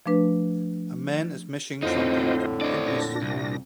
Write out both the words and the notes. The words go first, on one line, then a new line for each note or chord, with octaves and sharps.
A man is mashing something between two pieces of wood.
F3 A3 D4 B4
F2 A2 D3 C4 D#4 F4 C5 D#5
D4 C5 D5 D#5
A#2 D4 A#6
C2